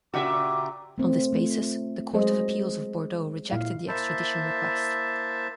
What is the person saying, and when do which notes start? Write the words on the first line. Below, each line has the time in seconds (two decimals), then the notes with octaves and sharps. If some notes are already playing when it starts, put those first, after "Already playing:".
On this basis, the court of appeals of Bordeaux rejected the extradition request.
0.14 A#2 C#3 F#4 G4 E5 D6
0.98 A3 C4
1.33 A3 F4
2.13 F#3 G#3 G#4 C5 D#5
3.51 A#2 E4 F5
3.88 A#3 E4 C5 E5 A5